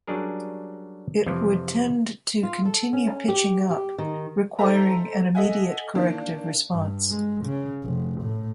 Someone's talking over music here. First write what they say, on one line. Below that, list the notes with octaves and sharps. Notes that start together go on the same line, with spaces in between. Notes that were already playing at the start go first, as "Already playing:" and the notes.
It would tend to continue pitching up, requiring an immediate corrective response.
F#3 G3 C#4 D4 G#4 A#4
F2 C3 E3 F3
F4
A4
C#4
G4
G4
D#3
D#4 A4 C5 E5 A#5
A4 D#5 E5 F#5 G#5
D#3 E3 A#3 D4
G2
G#3
C#3
F1
A2